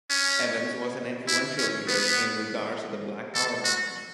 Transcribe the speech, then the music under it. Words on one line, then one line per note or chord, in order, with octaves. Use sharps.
Evans was an influential leader in regards to the black power movement.
C#4
E4
C#4
B3
A4
F#4